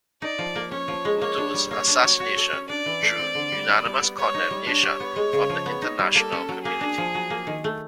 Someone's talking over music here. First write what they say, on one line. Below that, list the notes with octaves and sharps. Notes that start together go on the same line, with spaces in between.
Bhutto's assassination drew unanimous condemnation from the international community.
D#4 D5
F3
A#3
C#4 C#5
F3
G#3
A#3 C#5
D4
G3
A#3 C#5
D4
F#3
F#4
A4
C#4
D4 D5
E3
A3
C4
D3
G3
E4
G3
B3
B3 C#5
D#4
G3
D4 C#5
G4
B3
G#3
C#3
F3
B3
D#4
G3
A#3 A4
C#4
F#3
A#3 G#4
D4
F3
F#3
A#3
D#3
A3